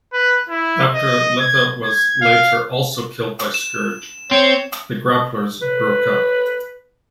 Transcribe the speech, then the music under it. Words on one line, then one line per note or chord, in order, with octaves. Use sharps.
After Letha was later also killed by Scourge, the Grapplers broke up.
B4
E4
D#5
G#6
G#6
F5
E7
C4 C#5
B4